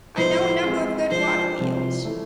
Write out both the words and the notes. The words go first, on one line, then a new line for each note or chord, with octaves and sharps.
I know of a number of good water wheels.
A2 F3 B3 E4 C5
E3 G#3 C4 G#4
F3 G#3 D4 C5
C2 C3 F3
E3 A3